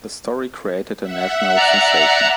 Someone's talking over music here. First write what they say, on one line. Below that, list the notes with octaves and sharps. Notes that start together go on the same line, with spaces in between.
The story created a national sensation.
E5 F#5
D5 A#5 F#6